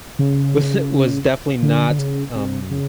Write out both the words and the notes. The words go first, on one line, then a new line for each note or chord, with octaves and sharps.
was was definitely not, um,
C#3
D3
D3
C#3
C3
C#3